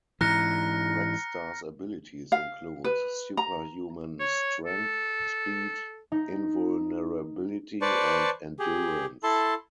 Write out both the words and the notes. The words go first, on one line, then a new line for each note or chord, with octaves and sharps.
Red Star's abilities include superhuman strength, speed, invulnerability, and endurance.
G#2 E3 A#5 F6 F#6 A#6 C#7
F5
B4
A#5
C#5
A4
D#4
B4 C5 D5 A5 C#6
G4 G#4
E4 A4 A5 C6